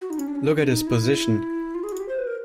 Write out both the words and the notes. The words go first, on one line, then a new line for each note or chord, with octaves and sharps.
Look at his position.
F#4
D#4
C#4
D4
C#4
D4
D4
D#4
E4
F4
G#4
F#4
G4
C5
B4
A#4